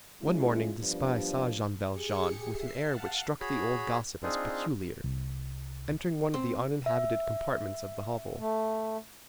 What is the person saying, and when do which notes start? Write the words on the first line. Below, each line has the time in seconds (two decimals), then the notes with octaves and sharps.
One morning, this spy saw Jean Valjean, with an air which struck the old gossip as peculiar, entering one of the uninhabited compartments of the hovel.
0.22 F3 G#3 C#4 E4 F4
0.81 G2 F3 G3 B3 D4
1.90 G4 G#4 C#7
2.49 E5 C7
2.85 F5 F#5 A5
3.41 F#4 G#4 C#5 B5
4.23 C4 D4 D#4 F4 G#4
5.04 C2
6.34 C4
6.86 E5
8.39 A3